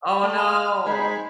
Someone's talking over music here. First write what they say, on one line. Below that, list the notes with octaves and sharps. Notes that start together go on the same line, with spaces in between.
Oh, no!
A3
F5
G#3 D#4 C5 B5